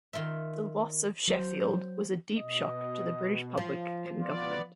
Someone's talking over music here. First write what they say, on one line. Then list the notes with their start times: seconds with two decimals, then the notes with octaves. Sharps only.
The loss of "Sheffield" was a deep shock to the British public and government.
0.13 D#3 F4 A#4 E5
1.28 F#3 C5
2.38 B2 D#5
3.57 F3
4.21 B3 F4 D5